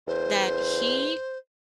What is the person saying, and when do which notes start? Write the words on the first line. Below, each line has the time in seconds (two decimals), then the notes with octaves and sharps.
that he,
0.07 E2 C5